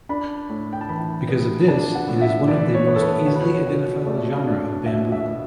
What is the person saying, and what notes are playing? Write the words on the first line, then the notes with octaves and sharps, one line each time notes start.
Because of this it is one of the most easily identifiable genera of bamboo.
D4 B5
A2
G5
A5
E3 B5
B3
D4 A5
F#5
A2
E5
E3 D5
C#5
B3
A4
B4
B2 C#5
B4
C#5
B2
A3 D5
D4
B2 E5
E5
B2